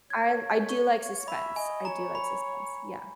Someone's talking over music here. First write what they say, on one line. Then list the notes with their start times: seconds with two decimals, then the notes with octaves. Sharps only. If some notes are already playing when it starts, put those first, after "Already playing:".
I I do like suspense I do like suspense, yeah.
0.10 C#5 G#6
0.69 C#6
1.28 E5 B5
1.56 D#5 G#5
1.85 C#5 A#5
2.15 B5